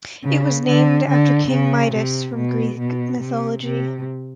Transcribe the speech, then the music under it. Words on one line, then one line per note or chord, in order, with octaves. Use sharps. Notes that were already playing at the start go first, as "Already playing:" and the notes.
It was named after King Midas from Greek mythology.
C#3
D3
D3
C#3
C3
B2
B2
C3
C3